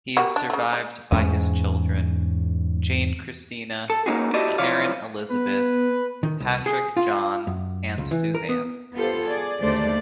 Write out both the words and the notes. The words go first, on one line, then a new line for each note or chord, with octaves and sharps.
He is survived by his children: Jane Kristina, Karin Elizabeth, Patrick Jon and Suzanne.
G3 A#3 F#4
D4
C#3 A3
G#3
E2 G#2 C#4
A4
A#3 C#4 D#4 F#4 G#4
E4 F#4 G4 A4 D5 D#5
B1 F3 E4 C#5 D5 F5
B3 B4
D#3
C2
G#4
F4
F#2
C#2
E3
A#4
B3
B3 F4 G4 A4 C5
G#4 D5
D#2 D3 G#3 A3 C5 D5